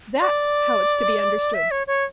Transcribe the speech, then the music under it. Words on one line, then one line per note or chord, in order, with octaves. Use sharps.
That's how it's to be understood!
D5
E5
C#5
C#5